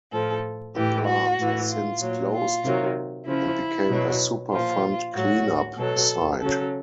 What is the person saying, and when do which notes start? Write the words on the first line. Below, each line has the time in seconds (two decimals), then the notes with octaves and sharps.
The plant has since closed and became a Superfund cleanup site.
0.11 A2 F3 A4
0.74 A2 E3 G4
1.05 F#4
1.37 A2 E3
1.68 F4
1.99 A#2 F#3
2.31 F4
2.63 C3 D#3 F#3
3.26 C#3 F3 E4
3.89 B2 F#3
4.52 A#2 F3 F4
5.14 A2 F#3 F#4
5.77 B2 F#3 A4
6.40 C#3 F#3 A4